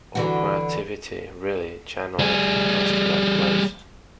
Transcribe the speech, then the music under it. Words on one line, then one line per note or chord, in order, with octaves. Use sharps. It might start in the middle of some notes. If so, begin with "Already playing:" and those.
Our creativity really channeled us to that place.
D3 E3 F#4
G3 G#4